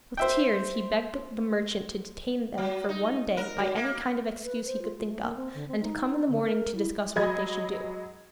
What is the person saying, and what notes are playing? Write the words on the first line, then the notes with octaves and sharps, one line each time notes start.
With tears he begged the merchant to detain them for one day by any kind of excuse he could think of, and to come in the morning to discuss what they should do.
C5 E5 G5
F#3
D#4
A#4
F#3
A#3
B4
C5
F4
A3
A#3
C4
D3
C4
D#4
D3
A#4
E4
F#3 G#3 D#5 B5 G#6